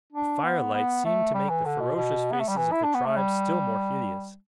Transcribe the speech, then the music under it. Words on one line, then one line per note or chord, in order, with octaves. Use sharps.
The firelight seemed to make the ferocious faces of the tribe still more hideous.
D4
B3
B3
A3
G3
E3
D3
B2
B2
B3
A3
G3
E3
E4
D4
B3
A3
G3